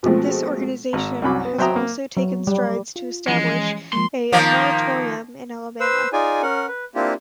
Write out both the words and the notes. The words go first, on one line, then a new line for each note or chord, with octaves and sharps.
This organization has also taken strides to establish a moratorium in Alabama.
B2 F3 G#3 A3 C4
G#1
C2 F#2 F#3 B5 D6
B3
F#3 C5 E5 G5 A#5 D#6
A#3
F#3
G3
F4
E3 F3 G#3 C#4
F3 G#3 A#3 C6
D#3 F3 A#3
B4 C5 E6
D#4 F4 G#4 D5 G#5
C#4 A#4 F#5
B4
A#3 C4 D4 E4 F4 G4